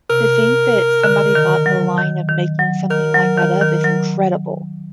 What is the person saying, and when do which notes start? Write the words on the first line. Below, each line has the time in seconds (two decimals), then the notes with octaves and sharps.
to think that somebody thought the line of making something like that up is incredible.
0.10 C3 A#4
1.03 D3
1.35 D#3
1.66 F#3
1.98 D#3
2.29 D#3
2.59 F#3
2.91 D#3 A#4
3.14 F#3
3.37 D#3
3.61 D#3
3.84 F#3